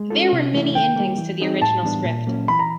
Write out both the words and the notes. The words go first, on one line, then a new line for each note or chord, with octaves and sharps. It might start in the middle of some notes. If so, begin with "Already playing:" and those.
There were many endings to the original script.
Already playing: G#3
C#4 F4 A4
C3
E3 A3 C#4 E4
D#3 G5
G3 A#3
E3
G3 C4 D#4 G#4
A2 A5
E3 G3 B3 D4
A#2
F#3 A#3 C#4
E3 B5
A#5